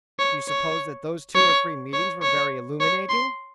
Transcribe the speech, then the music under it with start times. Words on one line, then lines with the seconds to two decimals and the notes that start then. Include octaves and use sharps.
Do you suppose that those two or three meetings were very illuminating?
0.19 C#5
0.48 C#5
1.35 C#5
1.93 C#5
2.22 C#5
2.80 C#5
3.09 C6